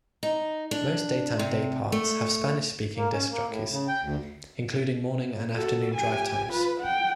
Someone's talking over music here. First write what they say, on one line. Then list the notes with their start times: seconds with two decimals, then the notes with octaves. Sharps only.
Most daytime dayparts have Spanish-speaking disc jockeys, including morning and afternoon drive times.
0.23 D#4
0.71 D4
1.39 C3
1.92 A3
2.97 A#3
3.13 C#4
3.30 A#3
3.47 A2
3.71 C#3
3.88 G5
4.02 D2
5.55 F#4 A4
5.95 G4 G#5
6.50 F4 B4
6.80 F#5 G5